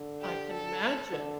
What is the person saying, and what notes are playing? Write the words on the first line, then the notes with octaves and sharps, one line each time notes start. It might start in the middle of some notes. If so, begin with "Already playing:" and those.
I can imagine.
Already playing: D3
G4
A4
D3